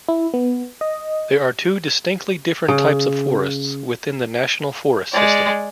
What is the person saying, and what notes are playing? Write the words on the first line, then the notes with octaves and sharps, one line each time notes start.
There are two distinctly different types of forests within the National Forest system.
E4
B3
D#5
C#3
G#3 D5